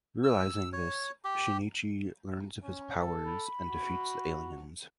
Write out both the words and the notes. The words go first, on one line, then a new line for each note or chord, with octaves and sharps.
Realizing this, Shinichi learns of his powers and defeats the aliens.
E6
C#5
G4
C#4
A4
B5
F#4